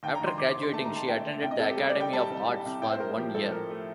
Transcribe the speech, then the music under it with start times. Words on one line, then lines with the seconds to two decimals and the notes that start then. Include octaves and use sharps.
After graduating she attended the Academy of Arts for one year.
0.03 D#2 G5
0.15 A#5
0.21 D#2 C6
0.38 D#2 D6
0.50 D#2 D6
0.62 C6
0.73 A3 A5
0.84 A#5
0.90 D#3
0.96 A5
1.07 A3 G5
1.26 A3
1.42 C2 G5
1.51 D#5
1.60 C2 A4
1.70 G4
1.77 G3 A4
1.89 D5
1.95 G3
2.00 G5
2.13 G3 A5
2.30 C2
2.48 G3
2.65 C2
2.82 A2 G5
2.91 C5
3.00 A2 A#4
3.17 F3 G4
3.34 A2 A4
3.51 F3 A#4
3.70 A3